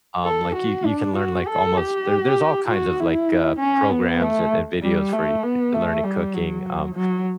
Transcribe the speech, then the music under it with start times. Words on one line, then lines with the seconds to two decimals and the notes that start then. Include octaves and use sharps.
um, like, you you can learn, like, almost there there's all kinds of, like, uh, programs and and videos for y learning cooking, um,
0.24 A4
0.55 F#4
0.86 D4
1.17 F#4
1.47 A4
1.77 G4
2.69 F#4
2.99 E4
3.60 C#4
3.90 B3
4.21 A3
4.82 G3
5.13 A3
5.43 B3
5.74 A3
6.04 G3
6.34 F#3
6.95 F#3